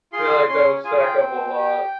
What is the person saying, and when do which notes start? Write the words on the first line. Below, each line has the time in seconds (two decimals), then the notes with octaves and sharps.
Feel like that would stack up a lot.
0.12 F4 G#4 C6
0.48 C#4 C6
0.84 F4 G#4 G#5
1.03 G5
1.21 C4
1.57 G4